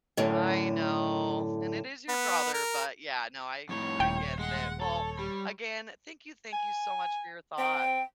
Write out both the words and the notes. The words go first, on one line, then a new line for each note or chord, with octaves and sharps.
I know. And it is your brother, but, yeah, no, I I get that, well, again, thank you, thank you so much for your thoughts.
F#2 A2 D3
B3
A#4
F2 A2 C#5
D#1 G5
G#3 F#5
A4 C#5
G3
G#5
C4 G5